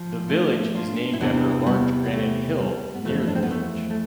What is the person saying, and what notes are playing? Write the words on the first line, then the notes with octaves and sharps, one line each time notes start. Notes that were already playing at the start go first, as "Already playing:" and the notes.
The village is named after a large granite hill near the village.
Already playing: F3
A3
D4 F4
E4
E2 C3 E3 B3 D4
G3 B3
B3
A3
G3
B3
F2 E3 A3
D4
C4
B3
A3
A3